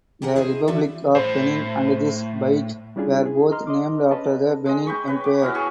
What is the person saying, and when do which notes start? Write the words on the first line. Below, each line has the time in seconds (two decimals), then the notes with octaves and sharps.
The Republic of Benin and this bight were both named after the Benin Empire.
0.22 G4 G#4 A#4 F#5
0.36 E4 G#4 C5 D#5
0.67 E3 C#4 F#4 D5 E5
1.15 A2 C5
2.96 G3 C#4 D4 E4 F4 G#4
3.23 E4 G#4
3.51 D#5 A#5 C6 F6
3.67 D#5 C6 D6
4.11 C#4 B4 D#5 A5
4.66 G#3 D#5
4.87 G5 B5 C#6
5.07 B4 C#5
5.24 D6
5.42 B3 C#4 E4 F#4
5.54 G#4 G#5 A5 C#6